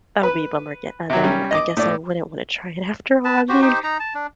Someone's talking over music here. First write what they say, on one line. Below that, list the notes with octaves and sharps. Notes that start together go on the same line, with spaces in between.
That would be a bummer ge uh, then, I guess I wouldn't wanna try it after all, I mean,
B4
C3 F#3
G3 C#4
D#5 D6
A2 D5
B4 A5
F#4 G4 C5
D#4 G4 C5
D#4 A#5
A5
D4